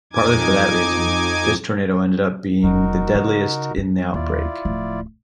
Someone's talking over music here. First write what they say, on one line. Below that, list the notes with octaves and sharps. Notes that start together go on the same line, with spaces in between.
Partly for that reason, this tornado ended up being the deadliest in the outbreak.
F2 D#4 G#5 D6 G#6
E1 F2 D#4 F#4 A#4
C#3
F#3
D#2 E4 F4 D5
D1 F3